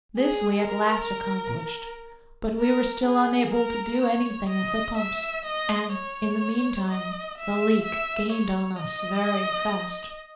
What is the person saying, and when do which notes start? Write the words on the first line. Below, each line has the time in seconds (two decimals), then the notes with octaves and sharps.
This we at last accomplished--but we were still unable to do any thing at the pumps; and, in the meantime, the leak gained on us very fast.
0.18 G#4
0.65 A#4
2.58 A#4
3.06 G#4
3.53 A#4
4.02 C#5
4.50 D#5
4.98 E5
5.46 D#5
5.94 C#5
6.89 D#5
7.38 E5
7.86 E5
8.33 C#5
8.81 D#5